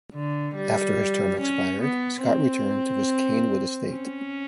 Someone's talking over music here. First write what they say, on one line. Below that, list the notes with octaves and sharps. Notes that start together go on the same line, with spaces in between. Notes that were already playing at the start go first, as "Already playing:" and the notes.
After his term expired, Scott returned to his Canewood estate.
D3
G3
C#4
B3
C4
C#4